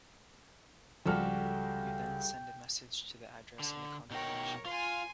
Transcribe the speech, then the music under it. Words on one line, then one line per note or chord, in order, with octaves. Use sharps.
You then send a message to the address in the confirmation.
C#2 F3 G3 F#4 A4 G5 F6
D3
B2 D#4 A#4 C#5 G5
F4 G#5 C6